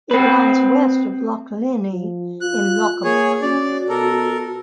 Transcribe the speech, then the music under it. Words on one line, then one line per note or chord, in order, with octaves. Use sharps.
It lies west of Loch Linnhe in Lochaber.
C4 B4
F3
F4 F#6
A#3 G#4 C#5
C#4 F#4 D5
B2 A4 A#4